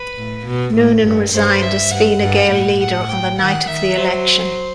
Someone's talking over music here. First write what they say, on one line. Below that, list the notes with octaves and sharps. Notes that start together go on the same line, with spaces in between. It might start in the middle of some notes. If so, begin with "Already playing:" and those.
Noonan resigned as Fine Gael leader on the night of the election.
Already playing: B4
A2
B2
A2
G2
G2 C5
E5
G2 F#5
G2
A2
F#5
G5
D#3 F#5
D#3 E5
F#3 C5